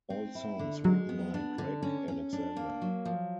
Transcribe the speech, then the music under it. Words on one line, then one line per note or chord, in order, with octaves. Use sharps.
All songs written by Gregg Alexander.
C4
E4
D3
F#3 G#3
B3
D4
D3
C#4
C#4
D4
A#3
F#3
F3